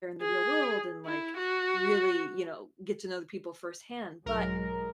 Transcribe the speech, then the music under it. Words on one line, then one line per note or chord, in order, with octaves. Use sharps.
in the real world and, like, really, you know, get to know the people firsthand." But
G#4
E4
F#4
B1 G#2 F#3 G#3 A#4